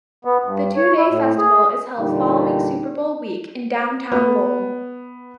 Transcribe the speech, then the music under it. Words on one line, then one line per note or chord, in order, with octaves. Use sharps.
The two-day festival is held following Super Bowl week in downtown Lowell.
B3
G2
C#5
E4
A2
G#4
E2 A#2 D3 G3 D#4
B3